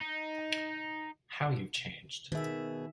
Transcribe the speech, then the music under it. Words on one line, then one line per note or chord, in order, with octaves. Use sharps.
How you've changed!
D#4
B2 D#3 G#4 E5